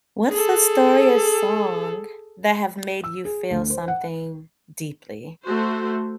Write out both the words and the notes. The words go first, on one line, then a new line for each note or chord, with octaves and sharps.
What's the story or song that have made you feel something deeply?
G#4 A4
E6
G#4
D2
C5
F#5
A3 F#4 C5